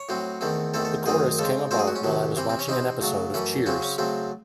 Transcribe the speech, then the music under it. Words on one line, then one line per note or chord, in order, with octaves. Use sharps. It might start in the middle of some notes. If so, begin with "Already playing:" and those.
The chorus came about while I was watching an episode of "Cheers".
Already playing: C#5
A2 F#3 C4
E2 D#3 A3 C4
E2 D#3 A3 C4 A4
A4
F#2 D#3 A3 C4 G#4
C#3 G#3 C4 A4
G#2 F#3 A3 C4 C5
G#4
F#4
C#4
C3 D#3 F#3
C3 E3 C4
C4
C#4
C3 E3 C4 D#4
C#3 F#3 A3
F#2 E3 A3 C#4
C#3 F#3 C4 C#4
C#4
C#3 F#3 A3 C4